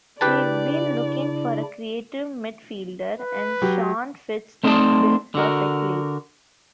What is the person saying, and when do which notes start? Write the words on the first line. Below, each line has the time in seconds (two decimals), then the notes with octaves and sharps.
We've been looking for a creative midfielder and Sean fits the bill perfectly.
0.21 C#3 D4 E4 G4 B4 D5 A5
3.20 B4
3.62 F#3 G4
4.64 A3 C4 D#4 C5 D5 A5
5.35 D3 F#4 A#4